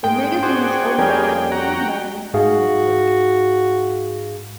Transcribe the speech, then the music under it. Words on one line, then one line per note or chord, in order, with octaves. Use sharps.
The magazine is owned by Kalanidhi Maran's Sun Network.
G#2 G5
D4 F#4 G#4 C5
F2 G3 A#3 C#4 G4 G#4
F#4 A#5
G#2 F#4 G#4 F5